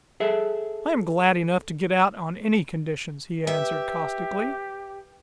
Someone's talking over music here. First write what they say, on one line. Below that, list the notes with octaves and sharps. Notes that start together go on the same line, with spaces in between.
"I am glad enough to get out on any conditions," he answered caustically.
G#4 A4 E5
G4 B4 E5